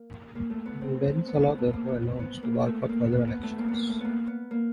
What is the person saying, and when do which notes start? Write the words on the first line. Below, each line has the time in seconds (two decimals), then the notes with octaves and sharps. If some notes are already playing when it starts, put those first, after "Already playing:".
Ben Salah therefore announced to boycott further elections.
Already playing: A#3
0.35 A#3
0.50 A3
0.66 B3
0.81 C4
1.27 B3
1.43 B3
1.58 A3
1.73 A#3
1.89 B3
2.05 C4
2.19 B3
2.43 A#3
2.66 A3
2.89 A#3
3.02 B3
3.12 A#3
3.28 B3
3.43 A3
3.58 A#3
3.68 B3
3.74 A#3
3.89 A3
4.00 A#3 B3
4.27 B3
4.51 A#3